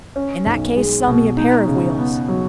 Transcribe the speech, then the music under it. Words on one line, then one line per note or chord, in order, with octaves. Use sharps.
"In that case, sell me a pair of wheels."
C#4
B1
G#3
B2
D#4
C#3
B3
F#3